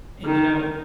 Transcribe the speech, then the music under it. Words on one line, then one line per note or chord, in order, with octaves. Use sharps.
and, you know
D#3